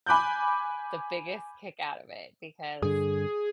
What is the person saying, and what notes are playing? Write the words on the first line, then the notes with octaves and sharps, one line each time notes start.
the biggest kick out of it because,
G#5 B5 D6 F#6 G6
G2 D3 G#4